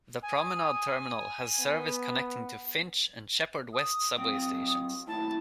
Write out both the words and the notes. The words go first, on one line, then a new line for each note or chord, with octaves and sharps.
The Promenade Terminal has service connecting to Finch and Sheppard West subway stations.
G#5 D#6
B3
D#6
F#3 C4 G5
D#2 A2 E4 A5